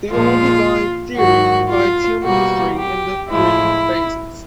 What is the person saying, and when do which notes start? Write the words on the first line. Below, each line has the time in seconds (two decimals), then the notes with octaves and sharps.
The Olduvai theory divides human history into three phases.
0.11 A#2 F3 G#3 F4
1.17 G#2 D#3 F#3 F#4
1.70 F4
2.23 B2 G3 A#3 F#4
2.77 G4
3.30 A2 F3 G#3 E4